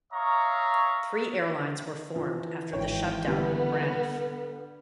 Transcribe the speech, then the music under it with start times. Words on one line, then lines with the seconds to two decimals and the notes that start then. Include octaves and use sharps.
Three airlines were formed after the shutdown of Braniff.
0.13 C#5 E5 F5 A#5 C#6 D#6
2.16 E3 F3
2.73 G#1 C#5 G5
3.26 D3 G3 B3